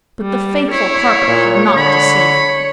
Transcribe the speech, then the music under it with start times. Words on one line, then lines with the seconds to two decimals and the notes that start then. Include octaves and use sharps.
But the faithful carpet had not deceived them.
0.22 G3
0.72 E4 C#5
1.28 A#2
1.77 D3 B5